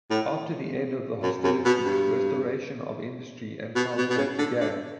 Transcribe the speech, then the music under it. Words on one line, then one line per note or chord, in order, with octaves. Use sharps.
After the end of the hostilities, restoration of industry and transport began.
A2
F#2
F#2
B2
G2
B2
B2
B2
C#3
D3
D3